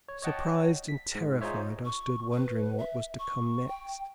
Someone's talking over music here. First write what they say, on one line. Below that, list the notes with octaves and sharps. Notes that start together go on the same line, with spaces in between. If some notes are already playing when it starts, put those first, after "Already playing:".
Surprised and terrified, I stood wondering what was to come next.
C#5
C#5 D#5 F#5 G5 A5
B6
G#2
D#4 F4 G#4 C5 C#5 E5
C#6
B4
E5
C#6
G5